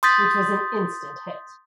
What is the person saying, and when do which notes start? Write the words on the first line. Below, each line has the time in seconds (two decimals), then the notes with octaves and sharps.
Which was an Instant hit.
0.03 C6 D#6 G6 A6 B6